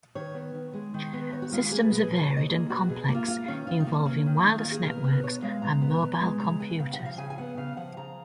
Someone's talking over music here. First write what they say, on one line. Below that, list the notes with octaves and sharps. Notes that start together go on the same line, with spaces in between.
Systems are varied and complex, involving wireless networks and mobile computers.
D#3 C#5
B3
D#3
G#3
D#3
B3
D#3 C#5
F#4
G#3 F4
F#4
A#3 G#4
B4
B2
G#4
B2 A#4
C#5
A#3
D#5
A#3 G#4
B2 F#4
B2 G#4
A#3
F4
A#3 F4
D#3 C#4
D#3 F4
D#4
A#3
C#4
A#3 C#4
D#3
D#3 D#4
F4
A#3
G#4
B2 A#4
B3
B2 C#5
G#3 F5
B2 A#5
B3
B2
G#3
C#3 A#5
B3 G#5
C#3 F#5
F#5
F3
F5
C#3 G#5
G#5
B3 F#5
C#3 F5
F3 F#5
C#3 A#5